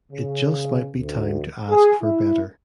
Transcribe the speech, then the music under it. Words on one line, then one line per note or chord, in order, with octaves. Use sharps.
It just might be time to ask for better.
C#3
D2
G#4
E4